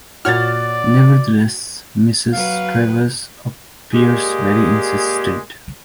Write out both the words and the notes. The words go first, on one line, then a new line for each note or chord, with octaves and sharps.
Nevertheless, Mrs. Travers appears very insistent.
A#2 F#4 C#5 D5 F6 A6
F#3 B4 F5
A#2 G#3 G4 G#4